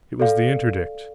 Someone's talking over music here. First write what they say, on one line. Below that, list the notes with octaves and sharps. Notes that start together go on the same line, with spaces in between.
It was the INTERDICT!
A4 D5 F5